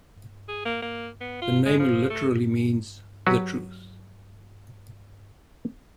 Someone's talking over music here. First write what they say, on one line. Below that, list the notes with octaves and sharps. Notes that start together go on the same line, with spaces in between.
The name literally means "the truth".
G#4
A#3
A#3
B3
F4
G#3
F3
A3
F#3 F#4 G4 B4